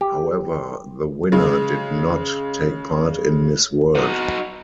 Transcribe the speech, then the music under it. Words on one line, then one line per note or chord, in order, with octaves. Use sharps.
However, the winner did not take part in Miss World.
G4
C#3 G#3
D#4 F#4